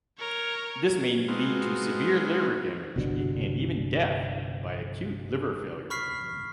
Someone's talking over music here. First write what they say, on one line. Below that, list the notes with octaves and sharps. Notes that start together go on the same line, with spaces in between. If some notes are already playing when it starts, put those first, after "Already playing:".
This may lead to severe liver damage and even death by acute liver failure.
A#4 C#5
G#3 B3 C4 D#4 F4 F#4
G1 C2 B2 D3
B5 C#6 F6 B6 C7